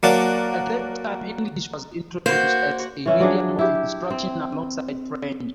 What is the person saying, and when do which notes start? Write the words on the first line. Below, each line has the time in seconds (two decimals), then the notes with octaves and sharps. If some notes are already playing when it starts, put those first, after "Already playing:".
At that time English was introduced as a medium of instruction alongside French.
0.03 F#3 A#3 A#4 D5 F#5 A5
2.26 A#3 F#4 C5 G6
3.06 E3 C#4 E4
3.19 F3 F#3 D4 G#4
3.59 E4 G4
4.11 C4